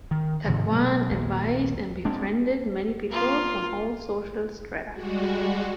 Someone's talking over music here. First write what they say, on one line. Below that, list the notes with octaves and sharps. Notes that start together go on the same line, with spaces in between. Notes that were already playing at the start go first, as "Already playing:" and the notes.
Takuan advised and befriended many people, from all social strata.
D#3
G#2 C3 D#3 F3
B2 F#3 G#3
A#1 D#2 A#2 G#3
G#3 C4 D4
A#3 F4
G3 G#3 F#4